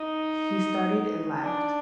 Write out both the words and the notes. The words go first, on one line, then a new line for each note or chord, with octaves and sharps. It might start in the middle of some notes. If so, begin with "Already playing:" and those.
He started, and laughed.
Already playing: D#4
D4